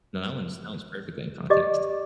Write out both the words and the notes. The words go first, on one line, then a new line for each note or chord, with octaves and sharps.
No, that one's that one's perfectly in context,
G4 D5 D#5 D6